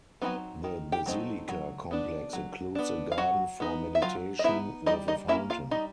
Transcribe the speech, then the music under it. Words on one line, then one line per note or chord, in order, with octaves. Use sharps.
The basilica complex includes a garden for meditation, with a fountain.
F#3 A3 B3 C4 D#4 B4
D#3
G4 G5
F#3 A3 C4 D#4
F#3
B3 D4
F#3
B3 D4
F5
F#3 F#4 F#5
B3 D#4
E5
F#3 F4 F5
D#5
B3 D#4 E4 E5
G3 D#4 D#5
D#4 D#5
A#3 C#4 E4 E5
F4 F5
G3 D#4 D#5